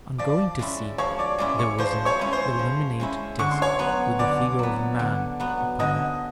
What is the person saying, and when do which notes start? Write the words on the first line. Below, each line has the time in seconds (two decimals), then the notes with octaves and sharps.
On going to see, there was an illuminated disk, with the figure of a man upon it.
0.18 F3 D5 D6
0.59 G#3 C#4 E4
0.98 F3 C#5 C#6
1.19 D5 D6
1.38 G#3 C#4 E4 D5 D6
1.59 C#5 C#6
1.78 F3 C5 C6
2.05 C#5 C#6
2.19 G#3 C#4 E4
2.32 C5 C6
2.59 F3
3.00 G#3 C#4 E4
3.39 D3 C#6
3.51 C6
3.62 C#5 C#6
3.79 F#3 B3
4.19 D3 D5 D6
4.59 F#3 B3
4.99 D3
5.40 F#3 B3
5.79 D3 D#5 D#6